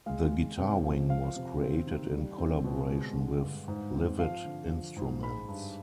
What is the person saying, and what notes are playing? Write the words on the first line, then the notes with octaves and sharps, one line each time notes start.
The Guitar Wing was created in collaboration with "Livid Instruments".
G#3 F5
G#3
C3
F3
F3 F5
C3
C4
D#3
G3
C4
B2
G#3
D3
G2
G#2
C4
F3 F5
D3
F3
G#2
G#3 B5
G2